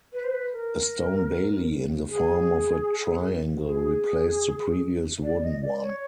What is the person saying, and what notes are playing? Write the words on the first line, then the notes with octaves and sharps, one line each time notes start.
A stone bailey, in the form of a triangle, replaced the previous wooden one.
B4
C5
B4
A#4
G#4
G#4
D5
D#5
D5
C#5